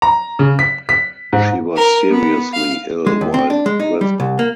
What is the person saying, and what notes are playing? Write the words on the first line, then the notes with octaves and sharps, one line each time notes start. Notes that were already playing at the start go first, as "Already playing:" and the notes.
She was seriously ill while in prison.
A#5
C#3
B6
B6
G#2
A#4
B3
F5
G#3
D#2
C4
D4
G#3
D#4
G3
C2
A#3